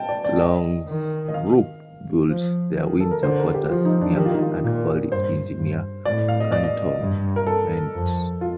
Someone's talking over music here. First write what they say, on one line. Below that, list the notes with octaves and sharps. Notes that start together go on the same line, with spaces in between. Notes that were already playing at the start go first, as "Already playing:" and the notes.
Long's group built their winter quarters nearby and called it Engineer Cantonment.
Already playing: G5 A5
D5
D5
D#5
D#3
D#5
F5
F3
D#3
A4
A#4
D3 C5
A#4
G4
F3 F4
D#4
D4
D#3 G4
F4
D#4
F4
A#2
G2 C5
G2
A2 D5
F5
D#5
D5
D#5
G2
A#4
A4
F2
F4